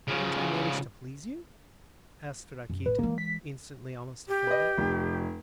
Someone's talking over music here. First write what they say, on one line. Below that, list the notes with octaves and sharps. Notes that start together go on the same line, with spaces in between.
"Haven't I managed to please you?" asked Rakitin, instantly almost offended.
C#3 F3
F#2
A1 B4
E3 G#3 A#3
B6
G4
B4 D#5
F1